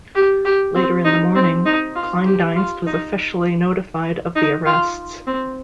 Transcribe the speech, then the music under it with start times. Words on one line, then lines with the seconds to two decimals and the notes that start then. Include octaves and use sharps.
Later in the morning Kleindienst was officially notified of the arrests.
0.15 G4
0.45 G4
0.75 C4
1.05 D#4
1.35 C4
1.66 D#4
1.95 F4
2.26 G4
2.56 F4
2.86 D#4
4.36 D#4
4.66 F4
5.27 C4